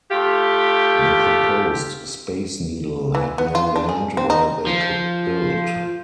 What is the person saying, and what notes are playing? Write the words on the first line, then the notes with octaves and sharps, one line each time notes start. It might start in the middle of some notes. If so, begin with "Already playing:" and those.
The proposed Space Needle had no land where they could build.
A3 F4 G4
E3
B3
F4
D4
G#4
C4
D#4
F3